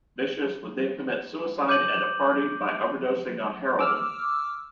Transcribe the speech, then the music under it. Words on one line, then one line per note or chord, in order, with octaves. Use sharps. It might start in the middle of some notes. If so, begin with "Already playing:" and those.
Vicious would then commit suicide at a party by overdosing on heroin.
D6 G6 D#7 F#7
D6 E6 F6